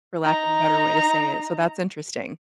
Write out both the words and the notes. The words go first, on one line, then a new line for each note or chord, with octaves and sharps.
for lack of a better way to say it, so that's interesting.
D#4 A#5